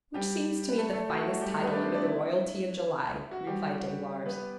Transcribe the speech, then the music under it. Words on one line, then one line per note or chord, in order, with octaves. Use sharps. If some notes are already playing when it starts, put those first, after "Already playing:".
"Which seems to me the finest title under the royalty of July," replied Danglars.
G3 G4
B4
A3 A4
A3 A4
F#4
E4
F#4
G3 G4
A3 A4
B3 B4
D4 D5
C4 C5
D4 D5
E4
F#4
G3 G4
B3 B4